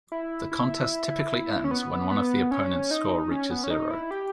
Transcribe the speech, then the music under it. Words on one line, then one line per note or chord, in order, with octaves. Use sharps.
The contest typically ends when one of the opponents' score reaches zero.
E4
E4
C#4
B3
B3
C#4
D#4
C#4
B3
C#4
D#4
E4
G4